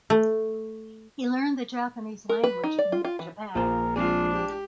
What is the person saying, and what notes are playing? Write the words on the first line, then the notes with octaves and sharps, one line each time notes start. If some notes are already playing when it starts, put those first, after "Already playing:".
He learned the Japanese language in Japan.
A3
A#4
B4
D#4
D5
F4
F4
E3
A#1 F4 A#4 C5
F3 G#3 C4 D4 F4 G#4
G4